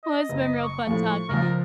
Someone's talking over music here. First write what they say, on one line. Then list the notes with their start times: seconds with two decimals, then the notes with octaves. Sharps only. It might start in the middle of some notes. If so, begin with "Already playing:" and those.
Well, it's been real fun talking to you.
0.04 D#5
0.29 F#1
0.63 C#6
0.87 A2 F3
1.29 C#2 F3 A#4